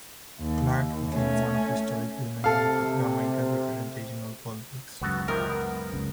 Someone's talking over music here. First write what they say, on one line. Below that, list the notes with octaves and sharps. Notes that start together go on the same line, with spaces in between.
Clarke became one of historic women in Jamaican representational politics.
D#2
A3 C#4
C3 A4 F5
C#2 F#2 B3 F#4 A4
C3 D#3 F3 A#4
B3
C#2 C#3